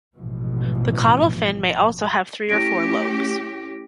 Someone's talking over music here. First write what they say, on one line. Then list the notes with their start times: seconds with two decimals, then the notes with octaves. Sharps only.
The caudal fin may also have three or four lobes.
0.17 A1 G#2 B2 E3 F3
2.49 A3 C#4 E4 G4 A#6 D7